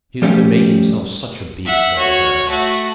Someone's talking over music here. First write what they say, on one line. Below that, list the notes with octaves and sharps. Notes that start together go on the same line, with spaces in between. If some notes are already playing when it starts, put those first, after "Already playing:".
He has been making himself such a beast all day.
F3 G3 A3 C#4 G4
E5 F#5
F#4 C#5
A3 F#4